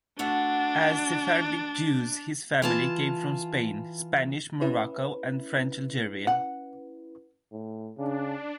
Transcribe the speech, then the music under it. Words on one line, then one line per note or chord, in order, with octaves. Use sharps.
As Sephardic Jews, his family came from Spain, Spanish Morocco and French Algeria.
A3 D4 F#4 F#5
E3 F4 A5
C#4 E4 B4
F#5
A2
C#3 D4